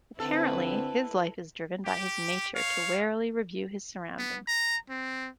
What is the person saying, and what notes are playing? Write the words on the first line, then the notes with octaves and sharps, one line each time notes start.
Apparently, his life is driven by his nature to warily review his surroundings.
D3 C4 E4 A4 B4
G4
C#5 F5
B3
A#5
C4